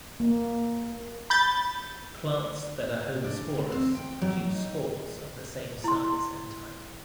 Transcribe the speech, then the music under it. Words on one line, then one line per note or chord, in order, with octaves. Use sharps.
Plants that are homosporous produce spores of the same size and type.
A#3
B5 G6 A6
D4
D2
C4
G5
F#3
D#4
E4 C6